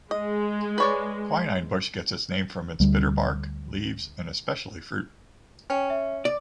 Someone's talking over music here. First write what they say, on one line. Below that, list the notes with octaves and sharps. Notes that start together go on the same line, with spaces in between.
Quinine bush gets its name from its bitter bark, leaves, and, especially, fruit.
G#3 D#5
B4 C#5 D5
D2 G3
C#4 G5 G#5
E5
D5 D6